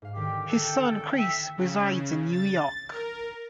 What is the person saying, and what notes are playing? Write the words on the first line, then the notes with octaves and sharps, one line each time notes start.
His son Chris resides in New York.
G#2 F5
D3 D#3 G4 G5 B6
A4 F#6 G6
G5
E5 C#7
C#3
A6
A#4